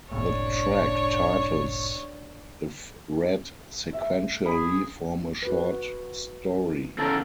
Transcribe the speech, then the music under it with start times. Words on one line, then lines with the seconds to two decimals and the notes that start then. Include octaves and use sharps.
The track titles, if read sequentially, form a short story.
0.11 F#1 C2 A2 D4 C#5
3.93 E5
4.46 G#4 B5
5.43 F#4 B4
6.98 E2 C#3 A4 A#4